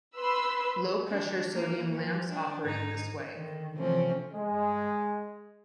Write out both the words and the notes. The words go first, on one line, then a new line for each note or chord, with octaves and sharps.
Low pressure sodium lamps operate this way.
B4 B5 C6 E6
D4
A#3
F3
D4
G#2 D#4
D3 D#3
C3 E3 F3 A3 C4 C#4
G#3